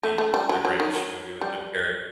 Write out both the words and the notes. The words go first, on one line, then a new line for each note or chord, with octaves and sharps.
The The Grinch movie with Jim Carrey,
A3
A3
G3
F#3
F#3
D#3
F#3
G3